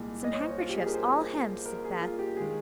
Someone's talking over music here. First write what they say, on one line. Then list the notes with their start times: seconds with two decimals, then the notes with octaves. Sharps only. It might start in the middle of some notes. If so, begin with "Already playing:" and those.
"Some handkerchiefs, all hemmed," said Beth.
Already playing: C2 A#2 G#3
0.24 D#5
0.33 C#5
0.41 C5
0.49 C#5
0.60 F4
0.69 G4
0.78 G#4
0.86 A#4
0.94 C5
1.66 A#4
1.84 G#4
2.01 F4
2.19 G4
2.36 D#3 G#3 G#4